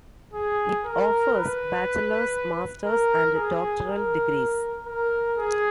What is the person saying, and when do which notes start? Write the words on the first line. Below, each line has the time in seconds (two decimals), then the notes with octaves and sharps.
It offers Bachelors, Masters, and Doctoral degrees.
0.34 G#4
0.85 A#4
1.34 B4
2.85 A#4
3.36 G#4
3.87 A#4
4.86 A#4
5.37 G#4